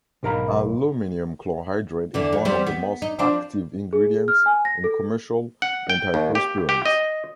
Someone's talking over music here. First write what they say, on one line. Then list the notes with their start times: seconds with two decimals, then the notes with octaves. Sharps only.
Aluminium chlorohydrate is one of the most common active ingredients in commercial antiperspirants.
0.23 B1 G#2 A#4 F5 A#5 B5
2.14 E2 D3 E3
2.33 F2
2.45 G3 B3 C4
2.67 B3
3.02 D#4
3.19 F3 C4 D4
3.93 G#4
4.28 F6
4.46 G#5
4.65 A#6
4.84 A4
5.62 F#5
5.90 G5
6.14 D#2
6.35 G4
6.69 G4
6.86 D#5